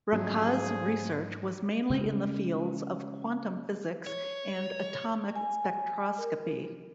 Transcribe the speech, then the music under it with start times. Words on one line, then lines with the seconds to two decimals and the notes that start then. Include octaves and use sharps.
Racah's research was mainly in the fields of quantum physics and atomic spectroscopy.
0.12 G#2 D3 F3 F#3 G#3 C#4 G#4
1.90 C#3 G#3
4.07 C#5
5.36 G#5
6.18 A#4